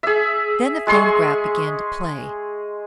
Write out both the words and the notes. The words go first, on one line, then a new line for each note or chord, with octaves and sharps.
Then the phonograph began to play.
G#4 E5
G#3 G#4 C6 C#6